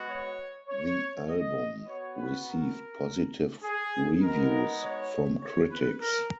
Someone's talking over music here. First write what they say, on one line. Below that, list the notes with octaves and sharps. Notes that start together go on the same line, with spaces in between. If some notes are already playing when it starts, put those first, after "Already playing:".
The album received positive reviews from critics.
Already playing: G#3 B3 F#4
C#5
C#5
D#5
B3 F#4 C#5
B4
A#4
G#4
G#3 B3 D#4 F#4 A#4
C#5
C#5
B4
A#4